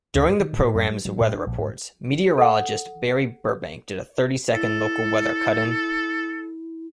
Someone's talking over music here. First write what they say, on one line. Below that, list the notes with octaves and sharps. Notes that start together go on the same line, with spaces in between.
During the program's weather reports, meteorologist Barry Burbank did a thirty-second local weather cut-in.
D2
G2
D#3
A2
F#2
G3
F#3
A2
D4
A#1
G#2
A4 F#5
E4 A4